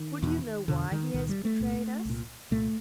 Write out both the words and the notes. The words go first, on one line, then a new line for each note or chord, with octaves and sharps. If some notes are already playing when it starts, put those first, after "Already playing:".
Would you know why he has betrayed us?
Already playing: D#3
E2 B2
E2 B2 D3
D#3
C2 A#2 D#3
G3
A3
C2 A#2
C2 A#2
C2 A#2 A3